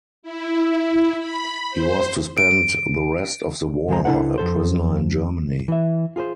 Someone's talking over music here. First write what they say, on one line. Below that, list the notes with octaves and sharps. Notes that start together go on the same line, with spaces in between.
He was to spend the rest of the war a prisoner in Germany.
E4
B5
C5
D7
C#2 F3 G#3 C5 A#5
C#2 D4 E4 A4 C5 F#5
F2 A#2 A4 C5
E3 E5
F4 G#4 A#4 C5